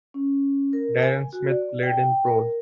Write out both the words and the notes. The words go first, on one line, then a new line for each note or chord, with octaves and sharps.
Darren Smith played in the Proles.
C#4
A#4
G#5
F#4
D5
G5
A#4